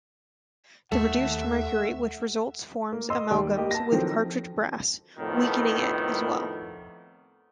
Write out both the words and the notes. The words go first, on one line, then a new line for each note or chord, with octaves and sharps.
The reduced mercury which results forms amalgams with cartridge brass, weakening it, as well.
D#2 A3 E5 F#5
A#3
D#5 C6 E6
D#2 G3 D5
A#3 G4 D#5
A5 A#6
D#3 F3 F#3 C4 A4 A#4
F2 A2 D#3 B3